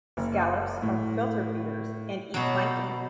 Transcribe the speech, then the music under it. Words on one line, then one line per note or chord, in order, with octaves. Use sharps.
Scallops are filter feeders, and eat plankton.
F#1
A2
B2 F#3